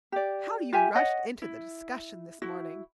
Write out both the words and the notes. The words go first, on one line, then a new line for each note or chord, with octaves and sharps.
How you rushed into the discussion this morning!
G4 D5
F4 G4 E5 G#5
C#5 D#5 F#5
E4
E4 F#4